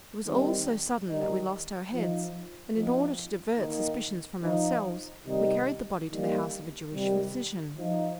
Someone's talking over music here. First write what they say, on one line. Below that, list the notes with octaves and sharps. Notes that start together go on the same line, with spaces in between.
It was all so sudden that we lost our heads, and in order to divert suspicion from ourselves, we carried the body to the house of a Jewish physician.
D#3 G3 C4
D#3 G3 D#4
F3 D#4
F3 C4 D#4
D#3 A#3 D#4
F3 D#4
C3 D#3 G3 D#4
D#3 G3 A#3 D#4
C3 D#3 G3
F3 D#4